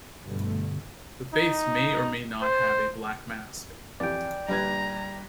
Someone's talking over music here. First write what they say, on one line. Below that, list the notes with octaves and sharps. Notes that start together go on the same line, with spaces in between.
The face may or may not have a black mask.
G2 B2 D3 A3
D#4
C5
F2 E3 G4 D5 G5
A#1 D3 G3 B4 A#5 G#6